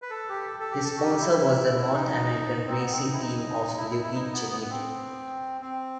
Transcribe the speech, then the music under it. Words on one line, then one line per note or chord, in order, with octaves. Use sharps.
His sponsor was the North American Racing Team of Luigi Chinetti.
B4
A4
G4
A4
A4
G4
A4
F#4
G4
E4
E4
D#4
C4
B3
C4
D#4
E4
D#4
E4
E4
E4
D#4
B3
B3
B3
C4
C4